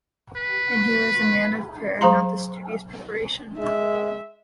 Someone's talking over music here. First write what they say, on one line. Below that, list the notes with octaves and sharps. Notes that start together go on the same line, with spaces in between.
And he was a man of prayer not of studious preparation.
B4
F#3 G#4 C5 F5 A#5 C6
G#3 E5